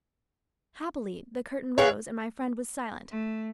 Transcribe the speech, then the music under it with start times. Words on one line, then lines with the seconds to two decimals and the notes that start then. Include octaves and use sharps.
Happily, the curtain rose and my friend was silent.
1.78 E3 G#4 C#5 F5
3.12 A3